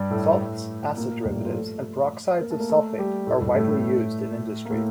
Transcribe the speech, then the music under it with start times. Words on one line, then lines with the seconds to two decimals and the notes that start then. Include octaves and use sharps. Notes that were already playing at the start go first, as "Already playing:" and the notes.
Salts, acid derivatives, and peroxides of sulfate are widely used in industry.
Already playing: G2 G3
0.10 A2 A3
0.97 A#2 A#3
1.25 G2 G3
1.35 A2 A3
1.45 F3 F4
1.55 A3 A4
2.41 A#3 A#4
2.50 A3 A4
2.60 A#3 A#4
2.69 A3 A4
2.98 G3 G4
3.27 A2 A3
3.41 G2 G3
3.55 A2 A3
4.65 A#3
4.70 A2 A3